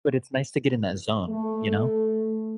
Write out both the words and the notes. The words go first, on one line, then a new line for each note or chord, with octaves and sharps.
But, it's nice to get in that zone, you know?
A3